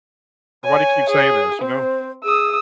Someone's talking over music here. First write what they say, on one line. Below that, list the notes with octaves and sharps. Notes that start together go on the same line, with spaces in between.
"Why do you keep saying this," you know?
C#5 G#5
G#4
C4 C5
G#4 D#6 E6